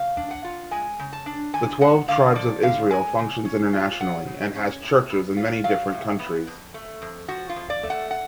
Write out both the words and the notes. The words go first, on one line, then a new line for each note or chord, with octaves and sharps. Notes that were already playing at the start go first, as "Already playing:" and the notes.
The Twelve Tribes of Israel functions internationally and has "churches" in many different countries.
Already playing: C#3 F5
D4
F#5
F4
G#3 G#5
C#3
A5
D4
D3 G#5
G#3 F#5
D3 F5
F3 D5
D3 F5
G#3 G#5
C#3
C#4
F4
F#3 F#5
C#3
C#4
A2
B3
F4
F#3 F5
A2
B3
F2
A3
F2
F3 F#4
F4
F2
D5
A3
F#5
F#5